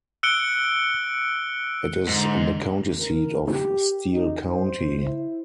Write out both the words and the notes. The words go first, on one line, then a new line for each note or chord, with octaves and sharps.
It is the county seat of Steele County.
E6 F#6 C#7 D7 G7
G#2 D3
A#4
G4
D#4
C5
E4